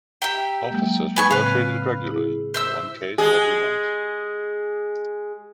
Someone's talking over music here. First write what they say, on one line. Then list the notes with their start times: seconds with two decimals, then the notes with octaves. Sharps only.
Officers were rotated regularly-in one case every month.
0.22 G4 E5 G5 A#5
0.70 F#3 G#3 A#3
1.16 B3 G#5 C#6
1.31 A2 C#3 C4 B4 F5
2.11 E4 G#4
2.54 C5 E5 E6
3.18 G#3 G#4